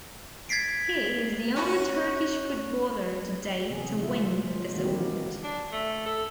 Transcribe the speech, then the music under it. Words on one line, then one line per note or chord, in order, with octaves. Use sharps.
He is the only Turkish footballer to date to win this award.
G#6 A6 B6 C7 D7
C#4 F#4
C3 E3 B3 G#4
D3 F3 G#3 F4 E5
F3 G#3 C5 C#5
D#3 E3 A#3 C4 F#4
D3 G#3 G4 A#4 B4 C#5
D4
A3
A4